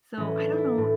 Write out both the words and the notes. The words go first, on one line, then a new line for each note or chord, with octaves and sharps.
So I don't know
A2 E3 C#4
D4
D4
E4
A2